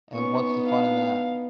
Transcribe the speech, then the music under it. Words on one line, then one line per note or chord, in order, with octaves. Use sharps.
And what's the fun in that?
B3 C#4 D#4 C#6
D4 F5